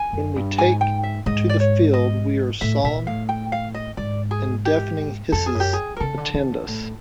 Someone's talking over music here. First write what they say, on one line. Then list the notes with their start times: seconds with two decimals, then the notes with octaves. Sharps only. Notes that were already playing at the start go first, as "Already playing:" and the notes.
When we take to the field we are solemn and deafening hisses attend us.
Already playing: G#5
0.13 F#2
0.36 G2
0.58 G#2 G#5
0.81 G5
1.03 E5
1.26 G#2 D#5
1.49 D5
1.60 C#5
1.94 D#5
2.61 A2 E5
2.84 A#2 E5
3.07 A2 F5
3.29 G5
3.52 F5
3.74 D#5
3.97 G#2 D5
4.31 G#4
4.65 G4
5.32 F2 A4
5.46 G#4
5.55 F#2
5.60 G4
5.73 G#4
5.97 A#4
6.00 C#3 A4
6.17 D3
6.34 D#3
6.52 D3
6.68 A2